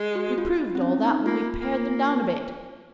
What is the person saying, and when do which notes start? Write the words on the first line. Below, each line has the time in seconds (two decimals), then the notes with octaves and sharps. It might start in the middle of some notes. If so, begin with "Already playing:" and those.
We proved all that when we pared them down a bit.
Already playing: G#3
0.15 F#4
0.38 F4
0.75 C4
0.81 C#4
1.03 D#4
1.26 A#3 F4
1.60 A#3